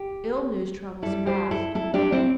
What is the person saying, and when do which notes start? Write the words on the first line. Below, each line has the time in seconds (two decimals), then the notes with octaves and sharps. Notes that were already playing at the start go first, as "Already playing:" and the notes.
Ill news travels fast.
Already playing: G4
1.02 G2 G3 E4 A4
1.27 G4 C5
1.51 E4 A4
1.75 E4 A4
1.94 D4 G4
2.12 C4 E4